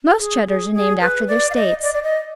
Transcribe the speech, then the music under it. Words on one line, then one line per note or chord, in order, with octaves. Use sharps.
Most Cheddars are named after their states.
G#4
G#4
G#4
B4
D5
F5
D#5
D5
D5
D#5